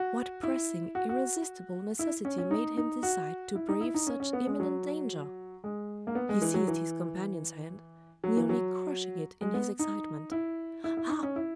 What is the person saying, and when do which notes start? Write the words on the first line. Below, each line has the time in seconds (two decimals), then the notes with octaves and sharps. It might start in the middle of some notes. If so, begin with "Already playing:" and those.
What pressing, irresistible necessity made him decide to brave such imminent danger?" He seized his companion's hand, nearly crushing it in his excitement: "Ah!
Already playing: F#4
0.43 E4
0.95 F#4
1.09 F#4
1.99 E4
2.25 C#4
2.38 C#4
2.51 D#4
2.77 D#4
3.03 F#4
3.55 E4
3.69 D#4
3.81 E4
3.94 D#4
4.07 C#4
4.20 C#4
4.33 B3
4.47 G#3
4.60 F#3
5.64 G#3
6.07 A#3
6.15 B3
6.29 G#3
6.42 E3
6.54 F#3
6.68 E3
8.24 F#3
8.37 E3
8.49 F#3
9.41 G#3
9.54 B3
9.79 D#4
10.32 E4
10.84 E4
10.97 E4
11.10 D#4
11.23 C#4
11.36 E4